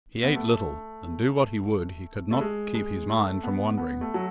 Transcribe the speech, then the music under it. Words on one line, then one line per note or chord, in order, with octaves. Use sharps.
He ate little; and, do what he would, he could not keep his mind from wandering.
B3
A3
A3
G#3
G#3
A3
B3
B3
A3
F#3